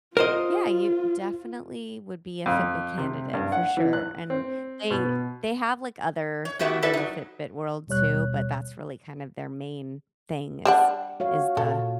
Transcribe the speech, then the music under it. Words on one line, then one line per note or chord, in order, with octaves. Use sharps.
Yeah, you definitely would be a Fitbit candidate for sure. And, they they have, like, other things in the Fitbit world too, but that's really kind of their main thing is is the
F4 A#4 C5 D#5
F2
C3
G2
F#5
E3
F#6
C4
B2
C#5
A3 B3 F#4 G4 E5
E4 A4 B4 D5 E5
F#3 D#4
D#2 B2 G3 C#5 F#6
G3 D4 F#5
F#4 C#5 F5
A#2 A4